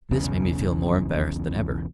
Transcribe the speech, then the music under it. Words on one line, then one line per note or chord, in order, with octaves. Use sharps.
This made me feel more embarrassed than ever.
E1 B1 E2 C#3